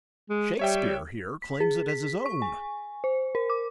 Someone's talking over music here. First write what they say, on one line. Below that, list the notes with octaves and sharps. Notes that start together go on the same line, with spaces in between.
"Shakespeare here claims it as his own."
G#3
G3 C#5 E5 G5
B6
G#4
B6
C#6
G#5
C5
A#4
D6